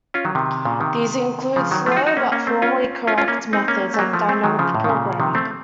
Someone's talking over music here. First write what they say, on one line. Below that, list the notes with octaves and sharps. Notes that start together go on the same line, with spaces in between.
These include slow but formally correct methods like dynamic programming.
C#4 F4
D#3 F#3
C3 D#3
A#2 C#3
C3 D#3
C#3 F3
D#3 F#3
F3 A3
F4
D#4 F#4
D#4 F#4
A#3 C#4
A#3 C#4
A3 C4
C#4 F4
C#4 F4
C#4 F4
A#3 C#4
C4 D#4
A#3 C#4
A3
F#3 A#3
F3 A3
A3 C4
D#3 F#3
C#3 F3
A2
D#3
A#2 C#3
C3 D#3
A3 C4